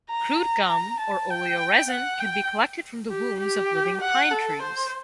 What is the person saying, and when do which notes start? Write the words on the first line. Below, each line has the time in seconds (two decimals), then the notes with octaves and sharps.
Crude gum or oleoresin can be collected from the wounds of living pine trees.
0.09 A#5
0.40 A#5
1.00 A5
1.30 G5
1.90 F#5
2.20 G5
3.11 G4
3.40 G4
4.01 F#5
4.31 A4
4.62 C5